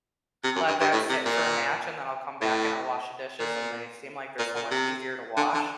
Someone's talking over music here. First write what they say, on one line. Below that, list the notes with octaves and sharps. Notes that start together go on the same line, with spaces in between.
let that sit for a match and then I'll come back and I'll wash the dishes and they seem like they're so much easier to wash
C3
F#2
G2
G2
A2
C3
A#2
A2
A#2
A#2
A#2
C3
D3
D3